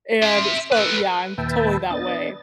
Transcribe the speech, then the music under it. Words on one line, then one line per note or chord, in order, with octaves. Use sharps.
and so, yeah, I'm totally that way.
E5 C6
A4 B4
D#2 A#2 B4 E5 G5 A5
B3 D4 D#5 A6